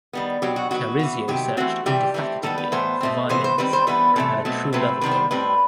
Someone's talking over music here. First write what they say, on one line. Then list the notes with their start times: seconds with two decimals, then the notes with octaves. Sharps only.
Tarisio searched indefatigably for violins and had a true love of them.
0.13 D#3 G3 B3
0.42 B2 F#3 C4 G4
0.56 F#4
0.71 D#3 F#3 B3 F#4
0.99 E3 B3
1.28 C3 D#3 F#3 G4
1.57 E3 A3 C4 F#4
1.86 C3 E3 G3 G4
2.14 E3 A3 C4
2.43 D#3 G3 B3 A4
2.58 B4
2.72 A2 E3 B3 C5
3.01 B2 A3 C4
3.29 C3 E3 B3 C5
3.44 C5
3.58 D#3 G3 C4 B4
3.73 C5
3.87 E3 G3 B3 B4
4.16 C3 E3 A3 A4
4.45 B2 F#3 A3 C4
4.73 C3 F#3 A3 C4 B4
5.01 C3 D#3 G3 B3 B4
5.11 C5
5.31 A2 G3 C4 B4